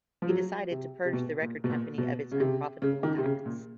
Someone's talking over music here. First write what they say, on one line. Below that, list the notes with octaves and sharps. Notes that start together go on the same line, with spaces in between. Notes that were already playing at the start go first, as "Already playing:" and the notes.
He decided to purge the record company of its unprofitable acts.
F3
F#3
C3
C3
B2
A#2
B2
A#2
B2
C#3
C3
C#3
D#3
C3
C#3
A#2